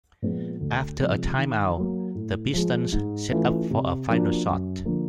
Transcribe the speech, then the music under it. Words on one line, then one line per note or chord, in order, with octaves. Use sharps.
After a time out, the Pistons set up for a final shot.
A#2 F3 G#3 B3
D2
C3 F3 G#3
D#3
F#3 A#3
A2
F3 G#3
G#2
E3 A3 C#4 F4
C3
F3 A#3 D4 F#4
F#2
D3 F3 A#3